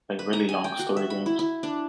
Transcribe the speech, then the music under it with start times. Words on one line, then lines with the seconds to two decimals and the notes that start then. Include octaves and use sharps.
Like, really long story games.
0.19 B4
0.33 A#5
0.49 G#5
0.64 G5
0.79 F#4
0.97 E5
1.10 B5
1.26 E4
1.39 E4
1.63 D4